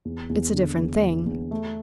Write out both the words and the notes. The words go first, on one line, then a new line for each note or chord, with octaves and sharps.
It's a different thing.
E2
E2
D3
E2
E2
E2
A3